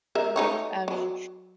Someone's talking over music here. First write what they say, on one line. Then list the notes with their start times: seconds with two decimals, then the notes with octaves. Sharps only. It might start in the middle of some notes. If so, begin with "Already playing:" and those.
I mean,
0.15 G#3 A#4 E5
0.36 A3 D#4 C#5
0.88 F#3